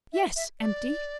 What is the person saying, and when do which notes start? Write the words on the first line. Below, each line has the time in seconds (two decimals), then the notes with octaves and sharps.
'Yes, empty.
0.13 E5
0.36 E5
0.60 D5